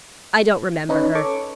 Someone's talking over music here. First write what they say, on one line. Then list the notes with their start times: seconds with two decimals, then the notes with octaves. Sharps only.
I don't remember her.
0.89 C#4 D#4 B4 C#5
1.15 A4 C#5 C#6 D6